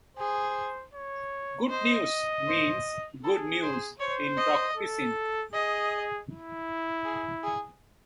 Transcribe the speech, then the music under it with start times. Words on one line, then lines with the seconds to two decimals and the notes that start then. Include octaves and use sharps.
"Gutnius" means "Good News" in Tok Pisin.
0.17 G#4 C5
0.94 C#5
1.70 C5 D#5
2.47 C5
3.24 G#4 A4
3.62 C5
3.99 C5 C#5
4.38 D#5
4.77 A4
5.53 G#4 D#5
6.30 E4
7.06 G#4
7.44 G#4